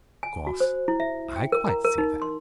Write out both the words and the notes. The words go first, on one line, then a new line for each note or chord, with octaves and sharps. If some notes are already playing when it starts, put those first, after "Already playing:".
Of course I quite see that.
G#5
F#4
C5
E4
E5
G5
A#4
A#5
A#4
D#4
C6